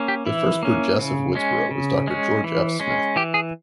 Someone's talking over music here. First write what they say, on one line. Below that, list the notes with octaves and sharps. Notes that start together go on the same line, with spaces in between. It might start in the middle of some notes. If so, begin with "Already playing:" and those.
The first Burgess of Woodsboro was Doctor George F. Smith.
Already playing: A#3 C#4
G4
E3 E4
A#3 C#4
C#3
G#3 C#4
C#3
G#3 C#4
E3
G#3 C#4
E3 G4
G#4